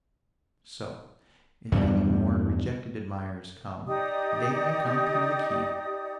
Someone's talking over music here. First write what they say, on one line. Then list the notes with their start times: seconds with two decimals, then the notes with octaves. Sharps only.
So, if any more rejected admirers come, they may come through the keyhole.
1.72 E2 G2 G3
3.86 D#4 G4 D5 D#6